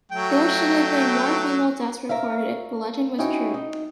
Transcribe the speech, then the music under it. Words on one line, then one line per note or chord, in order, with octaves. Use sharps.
There should have been more female deaths recorded, if the legend were true.
F#3 A3 G5
A#4 C#5 E5 F5
C#4 D#4 E4 F#4 C#5 G5
D#4